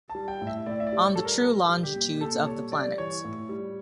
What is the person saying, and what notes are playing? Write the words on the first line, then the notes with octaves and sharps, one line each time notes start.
On the true longitudes of the planets.
A5
G3
G5
A2
E5
A2 D5
E5
D5
G3
C#5
G3 A4
A#4
G3
G3
G4
A#2
A#2 A4
G3 C#5
G3 D5
E3 C#5
A2
G3